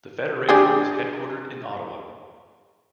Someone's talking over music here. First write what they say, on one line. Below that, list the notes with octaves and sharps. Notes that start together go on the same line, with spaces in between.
The Federation was headquartered in Ottawa.
D4 G4 G#4